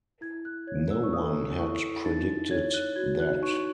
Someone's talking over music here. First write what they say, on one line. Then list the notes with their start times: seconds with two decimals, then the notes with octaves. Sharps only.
No one had predicted that.
0.21 E4 G#6
0.45 F#6
0.67 C#5 G#6
0.90 E6
1.03 C#6
1.13 A4 D#6
1.59 E4 C#6
2.05 D#4 A6
2.51 C#5 G#6
2.74 F#6
2.96 F#4 G#6
3.20 F#6
3.42 D#4 C#6